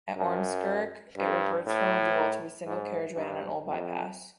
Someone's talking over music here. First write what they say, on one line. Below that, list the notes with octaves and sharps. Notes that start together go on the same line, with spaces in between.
At Ormskirk, it reverts from a dual to single carriageway on an old bypass.
F#2
G2
A2
G#2
G2
F2